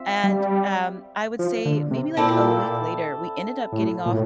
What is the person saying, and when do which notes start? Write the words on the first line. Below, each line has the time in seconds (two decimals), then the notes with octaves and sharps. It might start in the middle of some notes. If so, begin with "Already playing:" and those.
And, um, I would say maybe, like, a week later, we ended up getting off
Already playing: C4 F4 E5
0.24 G3
1.39 F3
1.65 D3
1.91 C3
2.17 A#2 C4 E4 A4 D5
3.72 A2
4.06 A#2
4.11 A2